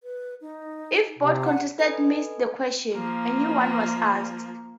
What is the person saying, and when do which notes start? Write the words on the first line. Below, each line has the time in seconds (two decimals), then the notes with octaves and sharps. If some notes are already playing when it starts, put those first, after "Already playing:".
If both contestants missed the question, a new one was asked.
0.03 B4
0.41 D#4
1.19 C3
1.43 F#5
1.79 A4 B4 D#5 G#5
2.93 F3 A#3